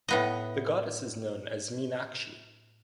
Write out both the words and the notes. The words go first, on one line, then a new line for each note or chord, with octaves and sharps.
The Goddess is known as Meenakshi.
A2 B3 D#5